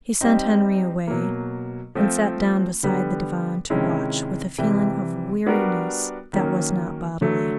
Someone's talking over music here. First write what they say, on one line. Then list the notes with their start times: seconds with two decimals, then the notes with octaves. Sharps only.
He sent Henri away and sat down beside the divan to watch with a feeling of weariness that was not bodily.
0.21 G3 C4 D#4
1.07 B2 F#3 A#3
1.95 F3 A3 C4 F4
2.83 D3 G3 B3
3.70 C3 D#3 G#3 C#4 E4
4.58 C3 E3 G3
5.46 G3 B3 D4 F#4 A#4
6.33 D#3 F#3 A#3 C#4
7.21 D3 F#3 A3